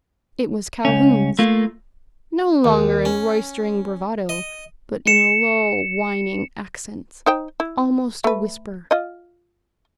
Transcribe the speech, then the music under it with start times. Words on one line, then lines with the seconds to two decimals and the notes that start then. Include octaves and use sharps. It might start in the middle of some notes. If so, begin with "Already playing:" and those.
It was Calhoun's--no longer in roistering bravado, but in low whining accents, almost a whisper.
0.85 C#2 C#4
1.39 A3 A#3 F4
2.64 D#2
3.05 C#4
4.29 D#5
5.07 C#7 E7
7.26 D#4 C5 G5
7.60 E4
8.24 A3 B4
8.91 F4 D#5